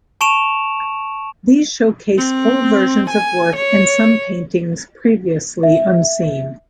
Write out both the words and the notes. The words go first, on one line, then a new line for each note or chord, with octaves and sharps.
These showcase full versions of work and some paintings previously unseen.
A5 C#6 D7 E7 F7
C4
G#5
C#5
E5